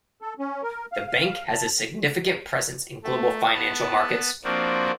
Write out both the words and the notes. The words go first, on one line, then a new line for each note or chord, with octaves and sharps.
The bank has a significant presence in global financial markets.
A4
C#4
A#4
F5
F5
A5
A3
B3 A5
F3 A#3 C4 D4 F#4